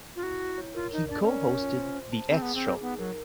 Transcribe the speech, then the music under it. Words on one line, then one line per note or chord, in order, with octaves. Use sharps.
He co-hosted "The X Show".
F4
E4 F#4
E4
C#5
F4 A#4
D#4 A#4
D4 D5
C4
C#4 A#4
C#5
F4
C5
C5
A5
C4 G#4
B3
G#4
C4
G#4
B3 D#4
F#3 A#4